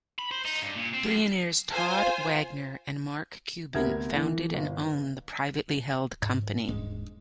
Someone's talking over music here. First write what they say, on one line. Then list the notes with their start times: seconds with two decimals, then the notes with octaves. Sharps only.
Billionaires Todd Wagner and Mark Cuban founded and own the privately held company.
0.19 B5
0.31 C5
0.45 D#4
0.62 G2
0.76 A#2
0.94 C4
1.06 F#2
1.71 F4 C5 G#5
3.74 D2 C3 B3 A#4 E5 G#6
4.15 E3
4.54 G1
6.22 G#2
6.68 D#1 G#2 G#3 D4